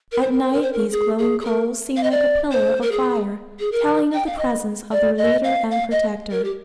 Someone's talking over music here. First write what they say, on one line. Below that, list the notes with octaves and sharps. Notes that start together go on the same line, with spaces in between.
At night these glowing coals seem like a pillar of fire, telling of the presence of their leader and protector.
A#4
C5
A#4
C5
A#4
C5
A#4
G#4
G#4
G#4
A#4
F5
D#5
D5
C5
A#4
G#4
G#4
A#4
G5
F5
D#5
D5
D#5
F5
F5
D#5
A#4
G4